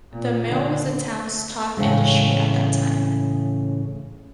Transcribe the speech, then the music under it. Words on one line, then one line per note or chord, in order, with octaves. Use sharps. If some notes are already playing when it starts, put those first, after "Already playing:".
The mill was the town's top industry at that time.
A#2
D3
A2 C#3 E3 G#3